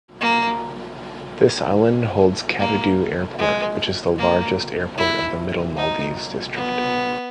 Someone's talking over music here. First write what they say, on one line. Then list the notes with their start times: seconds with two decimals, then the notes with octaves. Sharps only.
This island holds Kadhdhoo Airport, which is the largest Airport of the Middle-Maldives District.
0.21 A#3
2.59 A#3
3.38 G#3
4.18 A#3
4.98 E4
5.77 D#4
6.56 B3